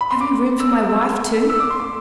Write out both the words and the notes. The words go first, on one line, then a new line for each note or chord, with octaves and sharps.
Have you room for my wife, too?'
B5
C6
D6
E6
E6
E6
D6
C6
D6